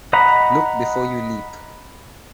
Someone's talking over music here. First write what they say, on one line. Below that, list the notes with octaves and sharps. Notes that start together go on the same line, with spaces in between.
Look before you leap.
D#5 F#5 A#5 B5